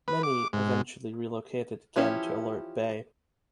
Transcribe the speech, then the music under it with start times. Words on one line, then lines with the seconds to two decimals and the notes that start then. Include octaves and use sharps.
Many eventually relocated again to Alert Bay.
0.08 B4
0.23 D6
0.53 G#2
1.96 E3 F3 C#4 E4 G4